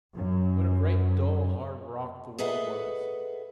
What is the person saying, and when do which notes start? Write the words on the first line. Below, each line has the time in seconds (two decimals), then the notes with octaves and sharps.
What a great dull hard rock the world was!
0.14 F#2
2.38 G#4 A4 B4 D#5 E5 F#5